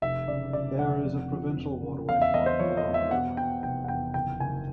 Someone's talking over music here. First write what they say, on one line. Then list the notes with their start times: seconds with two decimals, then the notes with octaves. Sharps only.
There is a provincial waterway park along the river.
0.02 F1 E5
0.28 C#3 D5
0.53 C#3 D5
0.79 F1 F#5
1.04 F2
1.31 F3
1.57 F2
1.82 C#3
2.09 E2 F5
2.22 E5
2.34 E2 D#5
2.46 C5
2.59 F3 C#5
2.77 D#5
2.86 E2
2.94 E5
3.11 B2 F#5
3.37 B2 G5
3.63 F1 G5
3.84 F#5
3.88 E2 G5
4.14 F#1 G5
4.40 F#1 G#5